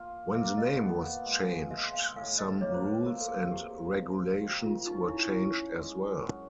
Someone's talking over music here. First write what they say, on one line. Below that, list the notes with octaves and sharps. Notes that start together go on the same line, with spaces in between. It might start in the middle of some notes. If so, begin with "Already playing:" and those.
When the name was changed, some rules and regulations were changed as well.
Already playing: A#3 F4
A#3 E5
D#5
B3
G#3
G#3 E5
F5
A2 F5
D#5
A#3 C#5
C5
B4
F3 A#4
A4
G#4
G#4
C3 G4
F3
D#3 F#4
F4
C#4 D#4
E4
C#4 E4
G#3
F#2